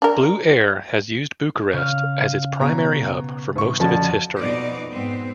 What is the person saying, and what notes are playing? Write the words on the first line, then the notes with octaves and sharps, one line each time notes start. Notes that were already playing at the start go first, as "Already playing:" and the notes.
Blue Air has used Bucharest as its primary hub for most of its history.
D4 A#4
C#3 F5
B2 C#5 A#5
A1 C#6
F2 D3 C#4 F#4 A5 E7
F2 B2 D#4 D5
G#2 B3 C4